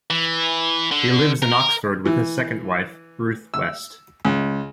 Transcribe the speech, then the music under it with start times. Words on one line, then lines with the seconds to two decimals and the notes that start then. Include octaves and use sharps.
He lives in Oxford with his second wife, Ruth West.
0.10 E3
0.92 D3
1.42 A#4
2.05 E3
3.54 E6
4.25 C#2